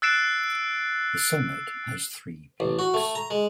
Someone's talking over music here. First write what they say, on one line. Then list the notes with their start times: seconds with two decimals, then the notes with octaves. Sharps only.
The summit has three peaks.
0.02 E6 F#6 A6 C7 D7 E7
2.60 A1
2.79 F#4
2.94 A3
3.15 A#5
3.30 G#3